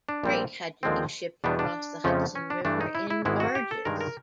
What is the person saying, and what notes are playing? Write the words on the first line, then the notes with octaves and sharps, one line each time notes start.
Freight had to be shipped across the Hudson River in barges.
D4
A#1 A#2 G3 C4
D#2 D3 F3 G#3 C4
E2 B2 G3 B3 D4
D4
F2 C#3 F3 A3 C#4
C#4
D4
G2 E3 A3 D4
D#4
E4
E4
G#1 G#2 D#3 G#3 B3 E4
F#4
G4
A4
G2 D#3 G#3 A#4
A#4